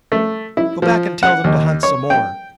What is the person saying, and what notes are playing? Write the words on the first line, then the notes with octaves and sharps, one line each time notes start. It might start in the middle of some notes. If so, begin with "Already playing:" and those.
Go back and tell them to hunt some more.
A3
E4
F3
F#5
D#2
C#5
G5